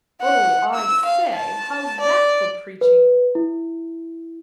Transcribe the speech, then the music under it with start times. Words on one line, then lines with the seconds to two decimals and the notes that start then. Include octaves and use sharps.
'Oh, I say; how's that for preaching?
0.21 F#5
0.74 E6
1.05 F5
1.35 A5
2.00 D5
2.81 B4
3.35 E4